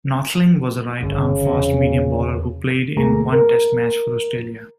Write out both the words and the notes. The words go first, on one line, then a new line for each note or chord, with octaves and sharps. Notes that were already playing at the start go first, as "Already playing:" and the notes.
Nothling was a right-arm fast-medium bowler who played in one Test match for Australia.
G1 C#3
E2 C3
D2 G#2 A3 A#3 G#4 A#5
A#4